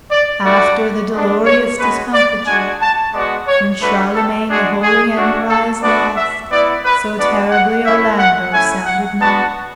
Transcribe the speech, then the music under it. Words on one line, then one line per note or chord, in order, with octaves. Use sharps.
After the dolorous discomfiture When Charlemagne the holy emprise lost, So terribly Orlando sounded not.
D5
A3 D4 F#4 D5
G#3 B3 D4
C#5
G#3 C#4 F#4 B4
D5
G#3 D4 F#4 G#5
A5
G#3 B3 F#4 D5
C#5
A3 D4 F#4 B4
A4
G#3 D4 F#4 G#4
G#4
A3 D4 F#4
A4
B3 D4 F#4 D5
E5
B3 E4 D5
B4
B3 D4 F#4 D5
F#5
A3 C#4 E4 E5
F#5
A3 C#4 E4 G#5
F#5
B3 D4 F#4 A5